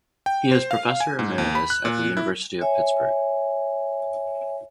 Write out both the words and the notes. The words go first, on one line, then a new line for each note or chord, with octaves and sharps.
He is Professor Emeritus at the University of Pittsburgh.
G5
C5
F5
G#5
G#2
D#2
B5
F#6
A#2
E4
C#5 E5 G#5